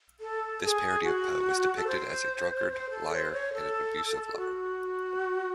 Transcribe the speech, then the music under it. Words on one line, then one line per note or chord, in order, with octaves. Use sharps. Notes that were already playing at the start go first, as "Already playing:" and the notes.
This parody of Poe was depicted as a drunkard, liar, and an abusive lover.
A4
A4
G#4
F#4
A4
C5
C5
A4
C#5
C5
C#5
A4
F#4